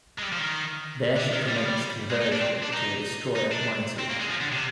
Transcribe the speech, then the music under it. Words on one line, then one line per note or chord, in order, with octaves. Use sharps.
There she commenced conversion to a destroyer-minesweeper.
G#3
G3
F3
D#3
D3
D#3
G3
F3
G3
G#3
D#4
D4
C4
D4
D#4
D#4
D4
C4
A#3
G#3
F3
D3
C3